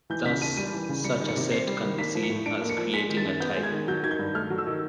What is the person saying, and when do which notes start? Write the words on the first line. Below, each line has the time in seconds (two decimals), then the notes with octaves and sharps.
Thus, such a set can be seen as creating a type.
0.10 E3 G6
0.25 C#3 B6
0.41 D#2 D#7
0.57 G3 D#7
0.73 E3
0.89 C#3
1.04 G3 C#7
1.20 D#3
1.28 C#7
1.36 C3
1.51 C4 C7
1.67 G3
1.83 D#3
1.98 A#3 B6
2.15 F3
2.23 C#7
2.30 A2
2.46 D4 D7
2.62 A#3
2.70 C#7
2.78 F3
2.93 G#3 B6
3.09 D#3
3.17 A6
3.25 F#2
3.40 B3 G6
3.56 G#3
3.63 G#6
3.72 D#3
3.88 F#3 G6
4.03 D#3 G#6
4.11 G6
4.19 G2
4.34 A3 F6
4.50 F#3
4.58 E6
4.67 D#3